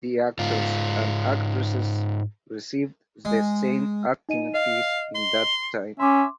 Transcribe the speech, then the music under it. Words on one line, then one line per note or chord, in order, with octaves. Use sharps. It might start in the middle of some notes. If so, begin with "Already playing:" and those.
The actors and actresses received the same acting fees in that time.
G#2 F4
G#3
D#4 D#5 D#7
D#5 F5
C6
C#4 E5 C6 D6